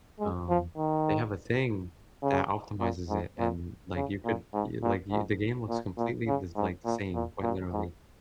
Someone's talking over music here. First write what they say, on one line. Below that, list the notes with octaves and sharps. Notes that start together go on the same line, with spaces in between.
um, they have a thing that optimizes it, and, like, you could, y like, y the game looks completely just like, the same, quite literally,
G#3
F3
D#3
C#3
A#2
G#2
A#2
C#3
A#2
G#2
A#2
G#2
A#2
A#2
C#3
G#2
A#2
A#2
A#2
G#2